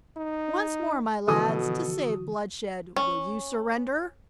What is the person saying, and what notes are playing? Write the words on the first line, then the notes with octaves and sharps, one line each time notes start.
"Once more, my lads, to save bloodshed, will you surrender?"
D#4
B2 D3 E3 F3 F#4 A4 D#6
C#4